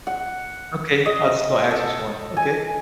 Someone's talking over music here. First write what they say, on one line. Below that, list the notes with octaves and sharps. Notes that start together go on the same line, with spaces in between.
Okay, I was just gonna ask which one, okay.
F#5
D#5
A4
G#5